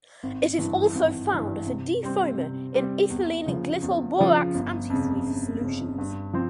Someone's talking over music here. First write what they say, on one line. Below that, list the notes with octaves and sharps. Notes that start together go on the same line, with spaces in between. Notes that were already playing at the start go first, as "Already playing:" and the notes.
It is also found as a defoamer in ethylene glycol-borax antifreeze solutions.
G#1
G2 E3
G#1
G2 E3
C3
G3 C4
C3
G3 C4
E2
C#3 F3
E2
C#3 F3
G1
F2 C#3
G1
F2 C#3
G2
F3 C4